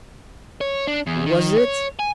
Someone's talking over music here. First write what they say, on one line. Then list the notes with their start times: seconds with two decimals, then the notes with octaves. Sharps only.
"Was it?"
0.61 C#5
0.87 D4
1.07 E2
1.26 D#3
1.58 C#5
1.99 G#5